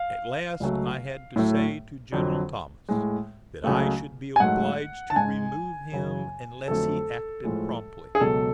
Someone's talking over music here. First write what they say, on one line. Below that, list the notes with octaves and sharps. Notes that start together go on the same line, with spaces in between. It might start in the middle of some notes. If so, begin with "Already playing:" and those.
At last I had to say to General Thomas that I should be obliged to remove him unless he acted promptly.
Already playing: F5
C#2 C#3 F#3 A3
A2 F#3 A3
F2 D3 F#3
A2 G#3
C#2 C#3 F#3 A3
G#5
G#2 F#3 A3 F#5
A5
G#2 G#3 G#5
F#2 C#3 F#3
F2 D3 F#3 A3 A4
A2 F3 G#3
G#4
C#2 B2 F#3 A4